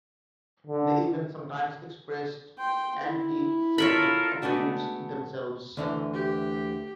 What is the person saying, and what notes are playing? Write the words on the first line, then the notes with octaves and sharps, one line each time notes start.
They even sometimes expressed anti-Semitic attitudes themselves.
D3
G5 C6
E4
F4 A4 A#4 C#5 E5 B5
G#3 A3 B3 D4 F#4
D2 D3 E3
G4